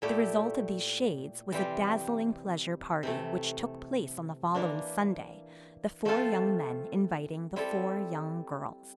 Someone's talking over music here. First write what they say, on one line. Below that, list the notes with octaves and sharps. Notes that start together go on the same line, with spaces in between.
The result of these shades was a dazzling pleasure party which took place on the following Sunday, the four young men inviting the four young girls.
A#2 A3 E4 G4
C3 E3 G3 C4 G4
C3 E3 A3
E3 A#3 D4
F3 A3 C4 F4 A4
G3 C4 E4 A4